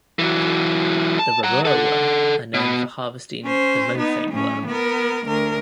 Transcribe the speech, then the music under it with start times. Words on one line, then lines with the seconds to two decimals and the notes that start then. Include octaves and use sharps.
The babirwa are known for harvesting the mophane worm.
0.19 E3 F#3
1.19 A5
1.44 F#5 A#5
1.65 A4 F#5
2.54 B2
3.45 C#4 C5
3.98 B3 D#4
4.32 A2 C#4
4.67 B3 A#4
5.27 D2 A#4